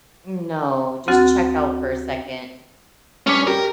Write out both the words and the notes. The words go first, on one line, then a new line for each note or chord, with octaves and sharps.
Mm, no just check out for a second.
D2 C4 F#4 F#5 A6
G2 C#4 D6 B6
G4 A#4